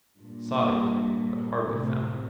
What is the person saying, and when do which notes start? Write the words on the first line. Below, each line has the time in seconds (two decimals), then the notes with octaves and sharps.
Sought it, but hardly found it.
0.20 G2 A#2
1.66 A2 C3